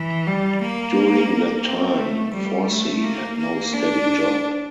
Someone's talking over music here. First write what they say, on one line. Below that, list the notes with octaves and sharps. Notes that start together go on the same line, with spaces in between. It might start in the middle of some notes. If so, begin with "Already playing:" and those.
During that time Forssi had no steady job.
Already playing: E3
G3
A#3
C4
A3
G3
A3
A#3
A#3
D4